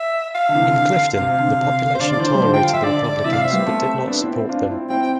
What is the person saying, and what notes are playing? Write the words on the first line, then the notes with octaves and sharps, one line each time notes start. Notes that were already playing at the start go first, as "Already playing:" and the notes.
In Clifden, the population tolerated the Republicans but did not support them.
Already playing: E5
F5
D3
C3 E3
D3
C3 F5
C3
D3
C3
C5
D3 D5
D5
E3
D3 C5
G3
D3 F3
G5
F5
E5
D3 D5
D5
C3 E3 E5
F5
C4 E5
G3 B3
A3 C4
B3 D4
C4 E4
C4 E4
D4 F4
C4 E4
C4 E4 G5
G5